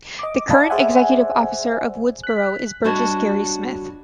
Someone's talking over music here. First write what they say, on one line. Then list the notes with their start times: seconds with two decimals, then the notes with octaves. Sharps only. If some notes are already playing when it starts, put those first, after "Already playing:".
The current executive officer of Woodsboro is Burgess Gary Smith.
0.19 D#5 D6
0.49 D5 D#5 F5 A5 B5
0.70 G#4 C5 D5 E5 F#5 G#5
2.23 F#6 B6
2.84 G3 D4 F#4 C#5 D#5 A5